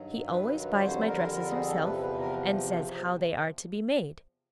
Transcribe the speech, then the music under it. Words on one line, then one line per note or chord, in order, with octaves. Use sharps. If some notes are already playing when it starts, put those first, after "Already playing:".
He always buys my dresses himself and says how they are to be made.
Already playing: G2 D#3 F#3
B4
C#5
F2 D3 G3 C5
A#4
A#4
G#4
A4
E2 C3 F3 B4
B4
A#4